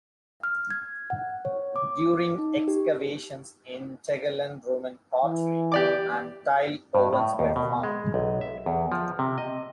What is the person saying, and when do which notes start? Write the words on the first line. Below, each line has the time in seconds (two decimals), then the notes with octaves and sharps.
During excavations in Tegelen Roman pottery and tile ovens were found.
0.43 F6
0.70 G#6
1.10 F#5
1.45 C#5
1.76 D6
2.38 D#4
2.68 G4
5.24 E3
5.72 G4 D5 D6
6.95 G2
7.13 A2
7.39 D#2
7.56 B2
7.83 G#3
8.14 B1
8.41 E5
8.66 E2
8.92 F3
9.19 C3
9.38 D#5